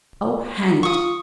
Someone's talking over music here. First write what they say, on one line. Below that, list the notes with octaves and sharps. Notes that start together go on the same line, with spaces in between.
Oh, hang it!
F4 C#6 D#6